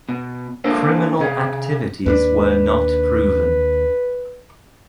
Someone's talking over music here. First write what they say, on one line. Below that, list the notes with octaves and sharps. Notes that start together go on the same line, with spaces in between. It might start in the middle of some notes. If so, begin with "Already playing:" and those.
Criminal activities were not proven.
B2
A#3 D4 A4 A#4 C5
C3 G#4
D#2 G3 D4 B4